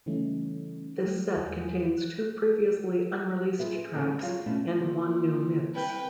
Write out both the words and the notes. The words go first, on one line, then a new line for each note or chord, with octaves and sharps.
This set contains two previously unreleased tracks and one new mix.
C#3 E3 G3 A3 C#4 D#4
F#3 G3 A3 G4
E2 G#5 D#6 G6
F#6
F4 G#4 B4 E5
G#4
C#4 D#4 G#4 A4 C#5
G3
F#3 F4 G#4 F5
B2 A3 C#4 D4 E4 F4
A#2
C2 B4 G5